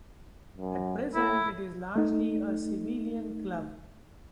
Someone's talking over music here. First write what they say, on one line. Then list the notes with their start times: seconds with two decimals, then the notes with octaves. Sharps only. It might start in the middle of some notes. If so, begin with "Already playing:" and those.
At present, it is largely a civilian club.
0.58 F#2
1.15 A2 E4
1.96 A3 D#4